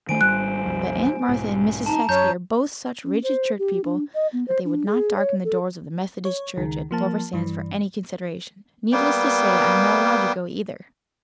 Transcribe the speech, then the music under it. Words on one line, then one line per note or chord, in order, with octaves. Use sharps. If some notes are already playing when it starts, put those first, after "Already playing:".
But Aunt Martha and Mrs. Saxby are both such rigid church people that they would not darken the doors of the Methodist church at Plover Sands for any consideration. Needless to say, I am not allowed to go either.
D#3 A3 C5 G#5 D7
G#1 G3 F#6
B1 F2 G3
B1 G#2
D#4 A5 A#5
F#2 C#5 A#5 G6
C#4
C5
G4
D4
D#5
B3
C5
D4
G#4
C#5
A4
C#5
C#2 D#3
F3 A#3 A5
G2 E3
G3 A#3 B3 G5